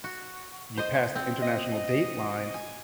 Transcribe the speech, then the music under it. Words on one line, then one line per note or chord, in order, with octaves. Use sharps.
you passed the international dateline,
F#4
C5 D#5
C4
D#5
G#5